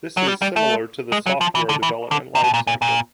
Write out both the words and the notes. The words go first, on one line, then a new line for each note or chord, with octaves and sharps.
This is similar to the software development life cycle.
F#3
G3
G3
A3
G#3
F#3
F3
E3
D3
E3
D3
C3
B2
A#2
A#2
A#2